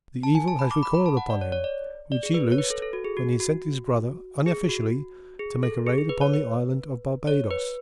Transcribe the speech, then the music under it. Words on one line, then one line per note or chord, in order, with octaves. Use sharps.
The evil has recoiled upon him which he loosed when he sent his brother unofficially to make a raid upon the island of Barbados.
A5
G#5
A5
B5
D6
B5
B5
A5
F#5
D5
C#5
C#5
D5
D5
G#4
B4
C#5
B4
A4
A4
F#4
G#4
F#4
F#4
G#4
F#4
G#4
A4
G#4
G#4
B4
C#5
B4
C#5
B4